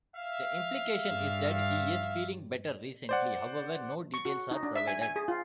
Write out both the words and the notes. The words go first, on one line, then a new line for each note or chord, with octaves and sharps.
The implication is that he is feeling better recently; however, no details are provided.
E5 F5
G2
C5 D5 F#5
C#6
F#4
D#4
D4
E5
G#5
G#5
G#4
F4